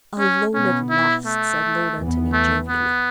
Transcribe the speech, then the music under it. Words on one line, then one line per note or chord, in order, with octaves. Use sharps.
"Alone, at last!" said Lord Antony, jovially.
C#4
B2 B3 C#4
E4
A3
E2 E3 B3
A3
B3